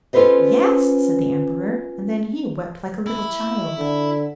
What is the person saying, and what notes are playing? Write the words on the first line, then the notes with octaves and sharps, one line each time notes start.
'Yes,' said the Emperor; and then he wept like a little child.
C#4 F4 A4 B4 C5 D#5
E4
D3